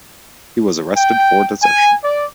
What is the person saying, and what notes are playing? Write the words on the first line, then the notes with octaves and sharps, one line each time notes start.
He was arrested for desertion.
G5
G#5
D5